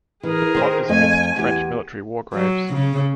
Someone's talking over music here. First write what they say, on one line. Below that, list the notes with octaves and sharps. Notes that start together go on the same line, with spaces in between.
The plot is amidst French military war graves.
E3 G#4 A#4
D#3 C5
F2 A3 D#5 G#5
E2 G4
F#3
C#3